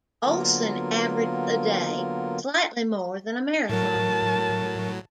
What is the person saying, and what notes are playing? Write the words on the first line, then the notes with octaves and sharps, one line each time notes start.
Olsen averaged a day, slightly more than a marathon.
D3 F#3 A#3 B3 F4 A#4
A2 F#3 A#4 A5